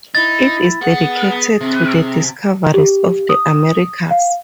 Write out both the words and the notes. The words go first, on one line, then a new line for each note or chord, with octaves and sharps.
It is dedicated to the "discoverers" of the Americas.
D#4 E4 A6
B3 G#4 F#5
C3 C4
G4
D#6
F5